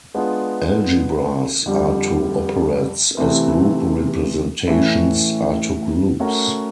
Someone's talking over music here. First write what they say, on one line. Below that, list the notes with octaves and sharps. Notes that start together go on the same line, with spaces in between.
Algebras are to operads as group representations are to groups.
G#3 B3 D4 F4
F2 D3 G3
C3 E3 A3 C4 E4
A2 E3 A3 C#4 E4
A3 C#4 F#4 A#4